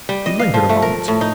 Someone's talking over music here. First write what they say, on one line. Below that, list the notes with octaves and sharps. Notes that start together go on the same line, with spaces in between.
He lingered a moment.
G3
D#5
F5
F3
A3
A#4
A2
D#4